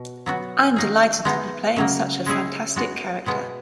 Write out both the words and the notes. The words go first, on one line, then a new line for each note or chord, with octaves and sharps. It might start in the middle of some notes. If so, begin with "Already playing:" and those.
I am delighted to be playing such a fantastic character.
Already playing: B2
F#3 B3 F#4
D#3 A#3 D#4 G#4
G#3 B3 D#4
C#3 F#3 A#3
G#3 C#4 E4 G#4
G#3 B3 F#4
B2 G#3 B3